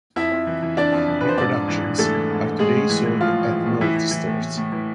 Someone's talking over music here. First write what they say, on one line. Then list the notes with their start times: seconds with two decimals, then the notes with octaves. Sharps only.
Reproductions are today sold at novelty stores.
0.16 F2 E4 E5
0.32 F2
0.47 E3
0.63 E3
0.77 E3 D4 D5
0.92 F2
1.08 E3
1.21 F2 B4
1.29 C5
1.38 G#2 D4 D5
1.53 G#2
1.68 E3
1.84 E3
1.98 E3 A3 A4
2.14 E3
2.30 G#2
2.44 G#2
2.59 A2 G#3 G#4
2.75 A2
2.89 E3
3.06 E3
3.20 A2 F3 F4
3.36 A2
3.51 E3
3.66 A2
3.81 A2 E3 E4
3.96 E3
4.11 E3
4.27 A2
4.42 A2
4.57 A2
4.72 E3